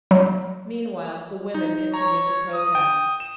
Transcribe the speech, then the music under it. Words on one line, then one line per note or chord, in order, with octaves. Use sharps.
Meanwhile the women continued to protest.
F#3
D#4
C#5 A#5
D#6
G5
E7